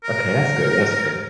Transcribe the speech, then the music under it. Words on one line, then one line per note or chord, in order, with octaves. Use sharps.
Okay. That's good, that's good.
A#4